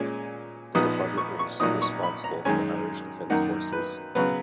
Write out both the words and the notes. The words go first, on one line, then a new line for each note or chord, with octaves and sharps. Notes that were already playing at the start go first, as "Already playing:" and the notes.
The Department is responsible for the Irish Defence Forces.
Already playing: A#2 G#3 C#4 G#5
A#1 A#2 F3 B3 D#4 D#6
C#6
C#6
A#1 A#2 F#3 A#3 D#4 D#6
C#6
B5
A#5
F#2 D#3 G#3 C#4 G#5
F#2 D#3 A#3 D#4 F#5
B4
C#3 F#3 B3 B4